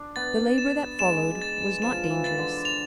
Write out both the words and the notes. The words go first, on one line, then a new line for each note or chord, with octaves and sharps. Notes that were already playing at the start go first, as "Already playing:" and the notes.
The labor that followed was not dangerous.
Already playing: D4
B3 A6
E7
G#3 E7
A6
F3 E7
E3
A6
D3
F7